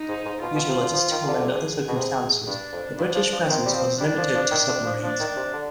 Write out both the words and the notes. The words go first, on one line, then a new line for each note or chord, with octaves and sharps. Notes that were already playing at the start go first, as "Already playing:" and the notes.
Due to logistical and other circumstances the British presence was limited to submarines.
Already playing: D#4
G#2
G#2
B2 F4
B2
C3
D3
F3
D#3
D3
G#4
B2
C3
G2 D4
F2
G2 D4
F3
F3
D#3 C4
G3
F3
G3 D4
F3
F3
D#3
D3
F3
F3 D4
D#3
C3
D3